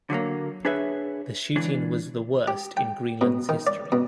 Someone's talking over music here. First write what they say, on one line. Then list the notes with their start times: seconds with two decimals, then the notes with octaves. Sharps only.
The shooting was the worst in Greenland's history.
0.10 D3 F#3 A3 A#3
0.65 D4 G#4 B4 C#5 E5
1.56 C#2 E3 D4
2.48 G4
2.77 G5
3.21 B2
3.49 D#3
3.67 D5
3.92 B2